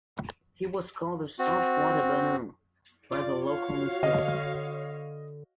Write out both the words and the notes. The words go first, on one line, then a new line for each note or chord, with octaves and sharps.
He was called the "salt water Barnum" by the local newspaper.
C4 F#4
F4 D5
F#4 C#5 F5
D3 D#5